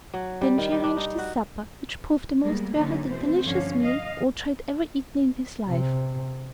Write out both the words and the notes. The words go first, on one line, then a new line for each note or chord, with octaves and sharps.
Then she arranged his supper, which proved the most varied and delicious meal Ojo had ever eaten in his life.
F#3
G3
D#3
G3
D4
D#4
F#4
G3 G#3 A#3 B3
D3 F#3 A#3 C#4 D#4
B2 E3 A3 C4 C5
G2 D3 F3 C#4 C#5 F5
D#5 F5
C3